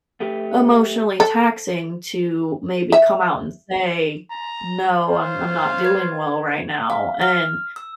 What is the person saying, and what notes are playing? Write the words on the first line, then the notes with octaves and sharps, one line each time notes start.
emotionally taxing to maybe come out and say, “No, I'm I'm not doing well right now." And,
A3 G4 B4
A4
E5
A#5
F4 C5 C#5 F5
B4 G#6
F5
F6
E6